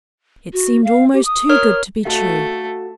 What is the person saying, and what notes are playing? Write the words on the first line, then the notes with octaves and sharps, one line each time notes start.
It seemed almost too good to be true.
F#4
F5
G4
D#6
A#4 C#5 F6
A3 F#4 A4 F5